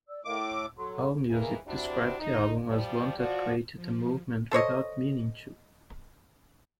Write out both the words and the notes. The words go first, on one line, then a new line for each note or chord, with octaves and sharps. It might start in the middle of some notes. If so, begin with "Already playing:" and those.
Allmusic described the album as one that created a movement without meaning to.
D5 E6
A2 A#4 D#5 F5 D6
E6
F#3 A4 F#5 C6
D#2 E3 A#3 G#4 A#4
C3 G3 C4 D4 E4 F#4
D#4
F3 G3
F3 F#4 D5
F3
A4 C5 C#5 D#5